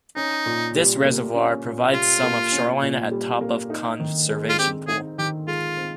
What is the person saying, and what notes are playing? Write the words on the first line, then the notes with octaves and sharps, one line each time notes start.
This reservoir provides some of shoreline at top of conservation pool.
C#4 D#4
A#2
G3
A#3
C#4
A#2
G3 F4
A#3
C#4
A#2
G3
A#3
D#4
D#3
G#3
F4
C4 G4
D#4 G#4
D#3 G4
G#3 F4
C4